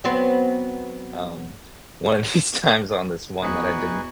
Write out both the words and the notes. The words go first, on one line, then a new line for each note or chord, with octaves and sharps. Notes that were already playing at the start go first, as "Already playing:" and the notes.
Um, one of these times on this one that I didn't
F#3 B3 C4
E2 D#4 F#4 G#4 B4